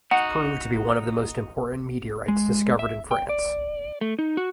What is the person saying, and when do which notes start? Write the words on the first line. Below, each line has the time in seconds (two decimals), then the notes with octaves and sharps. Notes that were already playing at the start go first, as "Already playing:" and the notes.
It has proved to be one of the most important meteorites discovered in France.
0.11 D#4 F#4 F#5
2.28 G#3
2.79 E5
3.11 G5
3.29 D5
4.01 A3
4.19 D#4
4.37 F#4